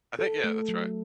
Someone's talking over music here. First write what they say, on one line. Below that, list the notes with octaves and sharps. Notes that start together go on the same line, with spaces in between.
I think yeah, that's right.
A4
A3
F#3